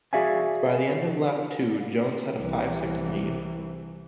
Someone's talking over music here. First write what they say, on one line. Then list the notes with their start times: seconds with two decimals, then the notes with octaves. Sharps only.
By the end of lap two, Jones had a five-second lead.
0.13 F#4 G#4 D5 E5 F5 G#5
2.37 C2 E3